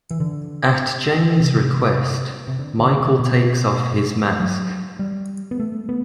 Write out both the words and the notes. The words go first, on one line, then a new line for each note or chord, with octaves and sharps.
At Jamie's request, Michael takes off his mask.
E3
D3
C3
C3
D3
D3
C3
B2
F#3
G3
B3
A3
B3